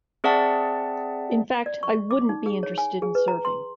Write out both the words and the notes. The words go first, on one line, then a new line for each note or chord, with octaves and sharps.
In fact, I wouldn't be interested in serving.
C4 G#4 D5 E5 F#5 A5
D5
C#6
D6
D#4
G#4
C#5
G#5
G#4
B4
A#5
C6